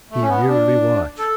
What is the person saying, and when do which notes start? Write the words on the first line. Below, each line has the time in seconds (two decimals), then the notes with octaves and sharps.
He merely watched.
0.11 A3
0.22 C#4
0.29 B3
0.47 D4
1.18 A4